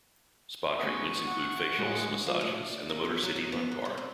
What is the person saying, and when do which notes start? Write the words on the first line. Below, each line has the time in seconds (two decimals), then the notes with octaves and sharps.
Spa treatments include facials, massages, and the MotorCity Mud Bar.
0.79 G#3 B3 A4 C#6 D#6
1.28 F#5
1.79 A2 F#3 G#3
2.26 F3
2.41 A2
2.69 D5
2.89 A#4
3.05 B3
3.23 F#3
3.36 D#4
3.52 B3
3.72 G#2
3.85 G3
3.97 C4